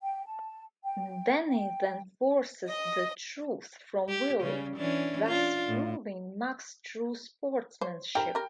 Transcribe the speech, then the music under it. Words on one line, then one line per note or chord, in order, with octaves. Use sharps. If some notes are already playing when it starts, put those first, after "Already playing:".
Danny then forces the truth from Willie, thus proving Muggs' true sportsmanship.
G5
A5
G5
G5
D#5
G4
C#3 G3 C#4
E3 C#4 D4
D4 F4
A2
C5 C#5
G3 A#4 G5
G3 A#4